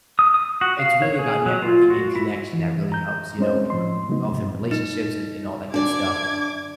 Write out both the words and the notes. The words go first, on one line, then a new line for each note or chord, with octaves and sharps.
it's really about networking and connection that really helps, you know, build wealth and relationships and and all that good stuff.
D#6
D#6
F#4
F5
C#5
G#4
F#3
F4
F#4
E4
E3
A#5 G6
G#3 C4 C#4 D#4 C5 D#5
A2 F3 C6
C#3 F#3 A3 B3 D#4
G#2 C3
D#4
D3 D4 D5 D6 G#6